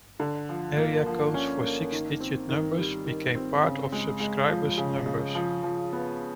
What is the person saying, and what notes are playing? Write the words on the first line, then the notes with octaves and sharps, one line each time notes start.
Area codes for six-digit numbers became part of subscriber's numbers.
D3
F3
A#3
F3
C#4
A#3
D#3
C4
D#3
G3
D#3
C4
C#3
G#3
G#3
F3
C#3
C#3
F3
F3
B3